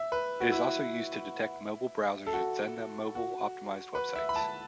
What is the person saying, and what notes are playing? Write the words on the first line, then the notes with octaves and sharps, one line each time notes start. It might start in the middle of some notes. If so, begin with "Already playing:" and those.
It is also used to detect mobile browsers and send them mobile-optimized websites.
Already playing: E5
B4
F#4
E4
A4
F#4
F#4
B4
E5
B5
A5